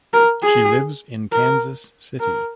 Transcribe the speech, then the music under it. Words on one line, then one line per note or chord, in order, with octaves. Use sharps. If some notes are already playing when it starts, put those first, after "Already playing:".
She lives in Kansas City.
A#4
G#4
A#4
A#4